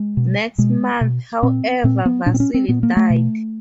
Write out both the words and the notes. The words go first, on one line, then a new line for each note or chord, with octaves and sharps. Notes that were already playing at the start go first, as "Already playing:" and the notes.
Next month, however, Vasily died.
Already playing: G#3
B2
B2 G#3
B2
A#2 C4
A#2 C4
B3
A#2 D4
C4
C#4
C4
A#2 B3
A#3
A3
B2